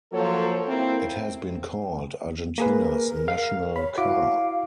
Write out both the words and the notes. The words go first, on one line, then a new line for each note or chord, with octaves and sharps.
It has been called Argentina's national car.
F3 F#3 A#3 A4 C5 C#5
A#3 C4 E4
A#3 G#4 A#4 B4
F5
C#5 B5
E4 F#4 F5 D6